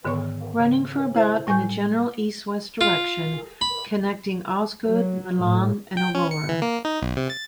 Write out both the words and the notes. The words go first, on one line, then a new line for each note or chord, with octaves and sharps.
Running for about in a general east-west direction, connecting Osgood, Milan, and Aurora.
G#2 D3 D#3 B3 C#5 C#6
C#3
E4 C5 E5
A2 G3 G#5 C#6 G6
F4
B5
F#3
A2
G5
C#4
C#7
E3
A#3
D#4
B1
C3
A6